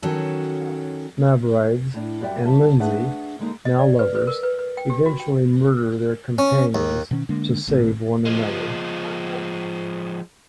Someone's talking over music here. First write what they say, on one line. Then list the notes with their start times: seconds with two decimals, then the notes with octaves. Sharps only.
Mavrides and Lindsay, now lovers, eventually murder their companions to save one another.
0.02 D#3 F#3 C#4 F#4 A4
1.94 A2 D4
2.21 F#2 G3 F#4 D5 E5 G5
2.44 E2 G3 E5 F5 A5
2.80 A3 D4 G#4 B4 E5 F#5
3.39 D3 G#3 A#3 D#4
3.65 D#5
3.79 D5
3.99 B4
4.15 B4
4.27 A#4
4.43 B4
4.59 B4
4.77 G5
4.90 G4
5.06 F#4
5.20 G5
6.38 C#4
6.75 D#2
7.11 B2 D#3 C4 C#4
7.29 D3 G#3 A#3 D4
7.67 G#1 A2 C3
8.25 F3 G#3